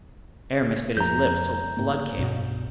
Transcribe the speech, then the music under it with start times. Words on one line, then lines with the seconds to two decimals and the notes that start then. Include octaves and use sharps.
Aramis bit his lips till the blood came.
0.97 F2 A#5 G6
1.77 G#2 A#3
2.17 C2 G2 B2